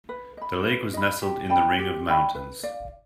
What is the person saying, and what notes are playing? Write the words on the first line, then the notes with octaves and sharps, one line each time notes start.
The lake was nestled in the ring of mountains.
B4
D#5 B5
B4
D#5 B5
G4
D5 G5 B5
G4
D5 G5 B5
B4
D5 F5